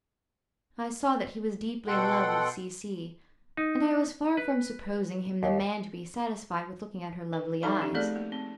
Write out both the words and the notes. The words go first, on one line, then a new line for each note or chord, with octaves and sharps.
I saw that he was deeply in love with C---- C---- , and I was far from supposing him the man to be satisfied with looking at her lovely eyes.
B2 A4 F#5 G5 C6
D#4
B4
D#2
B4
F3 D#4 A4 E5 B5 C#6
C#4 G4
A3 C4 G#4 A4 D5
A#3
C4